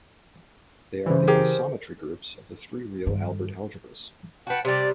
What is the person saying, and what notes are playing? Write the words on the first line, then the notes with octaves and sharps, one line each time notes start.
They are the isometry groups of the three real Albert algebras.
C#3 E3 C5
G4 G#4 A#4
G2 D#3
F#4 B4 F#5 G5 A5
C3 G3 D5